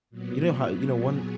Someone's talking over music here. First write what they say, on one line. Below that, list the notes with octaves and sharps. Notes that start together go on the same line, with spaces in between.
you know how you know, one
A#2 F#3 B3
G#4